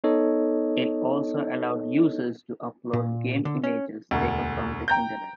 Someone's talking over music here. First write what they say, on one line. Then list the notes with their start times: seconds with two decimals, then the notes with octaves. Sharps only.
It also allowed users to upload game images taken from the Internet.
0.04 B3 D#4 A4 C#5 D#5
2.93 A#2
3.45 D3
3.64 C#4
4.11 E1 D2
4.88 G5 A#5 G6